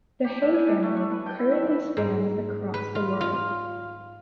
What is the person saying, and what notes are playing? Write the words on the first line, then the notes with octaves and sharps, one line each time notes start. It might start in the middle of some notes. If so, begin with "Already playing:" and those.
The Hay Family currently spans across the world.
G4
A2
G#5
D4
A3
C#6
B4
G5
E4
E5
E3
G#2
B4
F4
F4